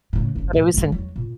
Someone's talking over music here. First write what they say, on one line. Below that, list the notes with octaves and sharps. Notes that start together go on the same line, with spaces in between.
But it was in
A2 C#3
G1 C#2
A2 C3
D#1 G#3
E2 F#3
A#2